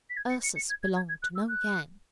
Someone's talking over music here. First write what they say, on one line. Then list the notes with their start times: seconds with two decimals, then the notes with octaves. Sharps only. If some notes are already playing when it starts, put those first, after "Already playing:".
Ursus belonged to no gang.
0.10 B6
0.17 G#6
0.30 C#7
0.43 C#7
0.56 C#7
0.70 G#6
0.83 G#6
0.96 G#6
1.09 G#6
1.22 F#6
1.36 E6
1.48 F#6